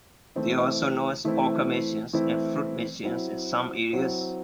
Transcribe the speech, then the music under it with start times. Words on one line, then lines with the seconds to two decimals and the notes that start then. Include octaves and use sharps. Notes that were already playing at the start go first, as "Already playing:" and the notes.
They are also known as "poker machines" and "fruit machines" in some areas.
0.36 E3 A3 C4 E4
1.25 E3 A3 C4 E4
2.13 E3 A3 C4 E4
3.04 F#3 C4 E4
3.93 F#3 C4 E4